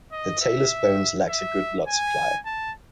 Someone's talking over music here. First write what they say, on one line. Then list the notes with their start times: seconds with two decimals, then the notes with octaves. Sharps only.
The talus bone lacks a good blood supply.
0.12 D#5
0.42 E5
1.29 E5
1.88 G#5
2.46 A5